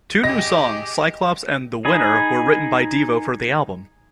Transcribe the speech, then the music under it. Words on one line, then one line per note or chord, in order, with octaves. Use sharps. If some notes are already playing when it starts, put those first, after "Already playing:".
Two new songs, "Cyclops" and "The Winner", were written by Devo for the album.
G4 G#4 D#5 A#6
D#4 G#4 B5